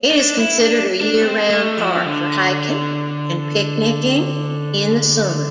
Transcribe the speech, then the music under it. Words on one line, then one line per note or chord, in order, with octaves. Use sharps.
It is considered a year-round park for hiking and picnicking in the summer.
D4
E4
D4
D4
C4
A3
F3
D3